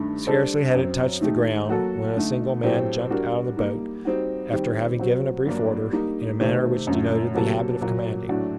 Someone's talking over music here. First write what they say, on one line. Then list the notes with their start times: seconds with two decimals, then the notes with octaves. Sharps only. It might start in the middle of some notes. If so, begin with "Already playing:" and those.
Scarcely had it touched the ground when a single man jumped out of the boat, after having given a brief order, in a manner which denoted the habit of commanding.
Already playing: G2 D#3 A3
0.27 G3 D4 A4 C5
0.74 F#2 F#3 C4
1.21 D#3 A3 D#4 G4
1.69 F#3 A#3 F#4 A4
2.16 D3 A3 D#4
2.63 A2 F#3 A3 C4 G4
3.10 G3 D4 F#4 A#4
3.57 G3 A#3 D#4
4.05 G3 C4 D#4 F#4
4.52 D#3 G3 C4 G4
4.99 F#3 C4 F#4
5.46 G2 F#3 A#3 D4
5.93 G3 A#3 D#4
6.40 C3 D#3 A3 C4
6.87 F#2 D3 A3
7.34 C3 F#3 A#3 F#4 A4
7.81 A#2 F#3 A#3
8.29 A2 F#3 A3 D4 F#4